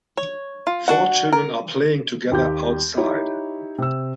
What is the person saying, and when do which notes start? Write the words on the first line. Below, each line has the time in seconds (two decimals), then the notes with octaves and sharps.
Four children are playing together outside.
0.17 C#5
0.67 F4
0.88 D4 F#4 F#5
1.32 A#4
2.31 D#2 G4 G6
2.97 D#4 E4 G4 C#5
3.78 C3 E6